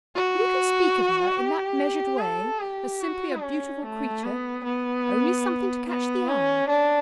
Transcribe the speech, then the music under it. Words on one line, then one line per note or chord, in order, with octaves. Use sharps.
You can speak of her in that measured way, as simply a "beautiful creature"--only something to catch the eye.
F#4
G4
A4
G4
F#4
C#4
A3
B3
B3
B3
C#4
D4